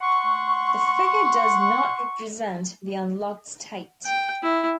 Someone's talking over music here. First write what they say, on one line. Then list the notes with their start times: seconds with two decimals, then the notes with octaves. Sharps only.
The figure does not represent the "unlocked" state.
0.01 F#5 C6 C#6
4.06 G5
4.43 E4